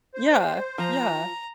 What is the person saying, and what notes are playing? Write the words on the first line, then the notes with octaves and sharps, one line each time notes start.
Yeah. Yeah.
C5
F3 A#5